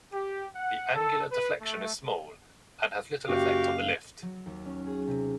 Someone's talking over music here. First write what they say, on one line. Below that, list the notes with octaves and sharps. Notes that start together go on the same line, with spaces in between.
The angular deflection is small and has little effect on the lift.
G4
F#5
A4
B4
A3
F#1 F#4 G4 F5
F#3
D#2
C#4
G#4
C3